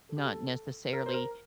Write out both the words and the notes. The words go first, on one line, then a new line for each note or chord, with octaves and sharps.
not necessarily
A4
G4
A4
A#4
C5
A#4